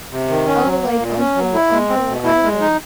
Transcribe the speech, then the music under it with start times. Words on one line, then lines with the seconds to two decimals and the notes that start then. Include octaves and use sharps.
Oh, like Uncle Uncle Iroh.
0.11 C3
0.29 D#3
0.47 C#4
0.64 F#3
0.82 A#3
0.99 A#2
1.18 C#4
1.36 F#3
1.54 E4
1.71 G#3
1.89 C4
2.07 B2
2.25 E4
2.43 G#3
2.60 D#4